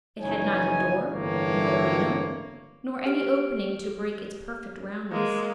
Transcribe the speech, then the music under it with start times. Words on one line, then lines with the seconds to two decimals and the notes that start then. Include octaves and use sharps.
It had neither door, nor window, nor any opening to break its perfect roundness.
0.21 F#1 E3 D#4 C#5 G#5
1.09 G1 C#2 A2 E3 A#3 C#5
3.06 G4 F6 D7
5.12 G#3 A#3